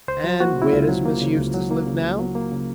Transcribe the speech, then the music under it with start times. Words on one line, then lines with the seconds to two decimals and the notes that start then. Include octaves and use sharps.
"And where does Miss Eustace live now?"
0.08 C#2 C5
0.24 F#3
0.40 A#3 F#4
0.57 C#3 E4
0.73 C#2 F4
0.89 F#3
1.05 A#3
1.22 C#3
1.38 C#2
1.54 F#3
1.71 A#3
1.87 C#3
2.03 C#2
2.19 F#3
2.35 A#3
2.52 C#3